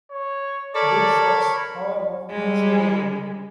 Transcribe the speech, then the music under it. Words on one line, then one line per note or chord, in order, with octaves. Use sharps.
Good shots, however, are cheered loudly.
C#5
A4 A#4 C#5 D5 B5
G3 G#3